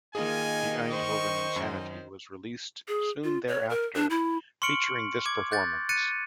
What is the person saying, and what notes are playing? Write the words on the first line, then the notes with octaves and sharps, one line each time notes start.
"The Eindhoven Insanity" was released soon thereafter, featuring this performance.
D#3 A#3 D#4 F4 G#4 G#5
C5 C#6
F#2
G#4
F4
C#5
A#4
D4
E4
C6 C#6 F6 C#7 D7 F#7
D6 G#6
F#6 G6 A6
F#6 A6 C#7 D#7